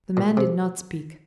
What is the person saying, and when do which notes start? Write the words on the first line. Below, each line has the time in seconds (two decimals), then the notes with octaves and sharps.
The man did not speak.
0.17 A#2
0.37 C3